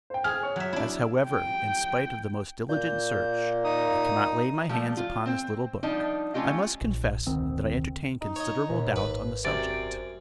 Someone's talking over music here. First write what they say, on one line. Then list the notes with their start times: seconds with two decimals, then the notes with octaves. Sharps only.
As however, in spite of the most diligent search, I cannot lay my hands upon this little book, I must confess that I entertain considerable doubt on the subject.
0.10 C5 G5
0.24 G#4 F6
0.43 C#5
0.56 F#3 E5
0.73 D4 E4
1.25 G5
2.69 A#2 G6
3.64 D#4 D#6
4.69 F3 G3 A3
4.97 F4
5.26 C4 C5 G5
5.83 F3 G3 D4 D#4
6.34 A3 C#4 F4 G4 D#5
6.81 A#1
7.27 F1 D2 D#3 C4
8.21 D#4
8.36 C#5 D#5
8.70 D#2 A#2
8.96 G#1 B4
9.45 F#2 C3 D5